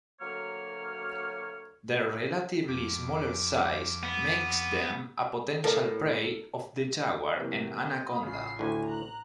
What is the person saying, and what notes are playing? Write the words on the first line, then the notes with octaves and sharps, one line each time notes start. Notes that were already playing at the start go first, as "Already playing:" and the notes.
Their relatively smaller size makes them a potential prey of the jaguar and anaconda.
D2 F#3 A#3 C#5 F6
F2 D6
B3
A2 A4 A#4 D5
C3 E3 F#3 A#3
D#5
A1 C#3 F4 C7
D2 A2 G#5
A#5 F#6